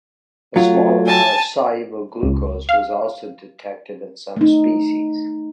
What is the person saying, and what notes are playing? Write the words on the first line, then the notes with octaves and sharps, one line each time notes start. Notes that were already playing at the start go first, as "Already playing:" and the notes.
A small amount of soluble glucose was also detected in some species.
F#3 A3 F4
G#5 A5
C#2
F5
A3 D#4